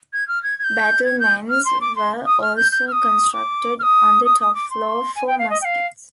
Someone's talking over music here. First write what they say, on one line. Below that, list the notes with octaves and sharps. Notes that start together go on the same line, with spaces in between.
Battlements were also constructed on the top floor for muskets.
G#6
F6
G#6
G#6
G6
G#6
G6
F6
C6
D6
C6
D#6
F6
G6
G6
F6
D#6
D6
F6
D#6
D#6
D#6
D6
C6
G#5
G5
F5
D#5
G5
F5